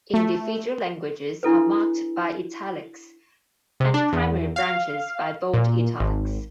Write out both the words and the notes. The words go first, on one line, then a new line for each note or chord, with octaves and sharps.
Individual languages are marked by "italics", and primary branches by bold italics.
A3
D4 E4 A4 B4
C3
D4
E2
F5
A#2
G#1